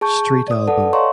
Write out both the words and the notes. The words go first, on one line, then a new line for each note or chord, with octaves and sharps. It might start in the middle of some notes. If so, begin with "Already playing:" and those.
Street album.
G#4 A5 C#6 G6
D5 D#6
A4 B4 D5 F#5 A5
C#5 D#5 F5 A#5 C6 C#6